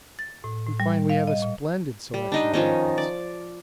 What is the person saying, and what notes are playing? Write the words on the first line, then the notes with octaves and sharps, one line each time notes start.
We find we have a splendid selection of records.
A6
A2
A2
G3
F5
D#5
A#2
G3
D4 D#4 D#5
D#3 F3 C#4 D#4
D5